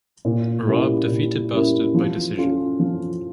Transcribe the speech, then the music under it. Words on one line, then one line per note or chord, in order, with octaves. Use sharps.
Urabe defeated Bastard by decision.
A#2
G3 C#4 E4 A#4
A#2
G3 C#4 E4 A#4
F3
C#4 F4 A4
F3